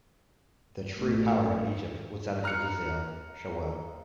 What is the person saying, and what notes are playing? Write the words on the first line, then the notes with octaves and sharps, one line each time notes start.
The true power in Egypt was that of the vizier, Shawar.
A1
A#5 F6 F#6 C#7